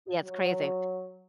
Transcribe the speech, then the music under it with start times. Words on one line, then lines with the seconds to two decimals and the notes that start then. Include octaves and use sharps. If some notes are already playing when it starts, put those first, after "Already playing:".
Yeah, it's crazy.
0.23 F#3